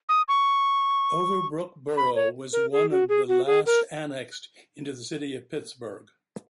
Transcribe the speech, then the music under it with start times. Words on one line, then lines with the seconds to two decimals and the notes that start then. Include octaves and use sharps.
Overbrook Borough was one of the last annexed into the City of Pittsburgh.
0.09 D#6
0.28 C#6
1.97 B5
2.15 C#5
2.53 A#4
2.72 G#4
2.91 F#4
3.09 G#4
3.28 F#4
3.47 G#4
3.66 A#4